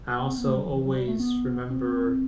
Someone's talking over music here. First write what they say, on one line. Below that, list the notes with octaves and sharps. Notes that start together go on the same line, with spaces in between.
I also always remember,
B3
C4
B3
A3
G3
E3
E3
F#3
G3
A3
B3
C4